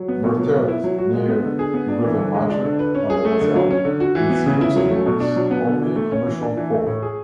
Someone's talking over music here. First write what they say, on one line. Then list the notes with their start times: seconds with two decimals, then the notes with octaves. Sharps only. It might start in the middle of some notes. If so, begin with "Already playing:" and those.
Mertert near Grevenmacher on the Moselle is Luxembourg's only commercial port.
Already playing: F#3
0.08 B3
0.24 B2
0.38 F#3
0.53 B3
0.68 E4
0.84 F#3
0.98 F#4
1.14 G#3
1.29 B3
1.44 D3
1.59 G#4
1.74 B3
1.88 D4
2.04 E3
2.19 D3
2.34 G#3
2.50 D4
2.64 D3
2.79 B4
2.95 C#4
3.10 G#4
3.25 A3
3.40 D3
3.55 F#3
3.71 C#4
3.85 D3
4.00 F#4
4.15 E3
4.30 B3
4.46 C#3
4.61 E4
4.76 F#3
4.91 A3
5.06 B2
5.20 D4
5.36 F#3
5.51 B3
5.66 D3
5.82 E3
5.96 A3
6.11 C#4
6.27 E3
6.42 D4
6.57 E3
6.72 A3
6.87 A2
7.02 G#4